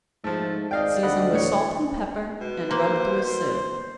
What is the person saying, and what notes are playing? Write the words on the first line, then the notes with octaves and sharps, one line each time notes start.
Season with salt and pepper and rub through a sieve.
G#2 F3 A3
G#1 D5 D#5 F5 G5
D2 D#5 F#5 B5
A2 C#5
B2
A#3 C5
C5